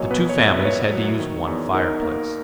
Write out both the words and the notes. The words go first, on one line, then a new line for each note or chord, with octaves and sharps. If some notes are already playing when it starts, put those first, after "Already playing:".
The two families had to use one fireplace.
Already playing: E2 F#3 A#3 C#5 D#5 G#5
B2 B4
C#5
E2
E5
B4
A#3 C#5
F#3
D#3
E2
D#4 A#4
A#3